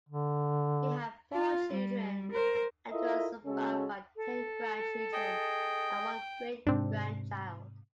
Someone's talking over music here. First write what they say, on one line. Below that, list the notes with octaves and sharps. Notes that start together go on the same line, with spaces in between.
He had four children and was survived by ten grandchildren and one great-grandchild.
D3
F4
G3
A#4 C5
E4 F4 A4 A#4 D#5 E5
C#3 G#3 C#4 F#4 A4
A4
G#4 D#5 G5
G#2 C3 C4 D4